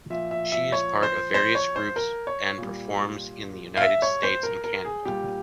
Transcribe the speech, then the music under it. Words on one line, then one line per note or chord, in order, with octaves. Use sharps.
She is part of various groups and performs in the United States and Canada.
A#2 F3 E5
E5
E5
C#5
C5
C5
C#5
C5
A#4
C#5
A#2 G3
F5
E5
C#5
C5
A#4
A#4
G#4
A#2 G3 G4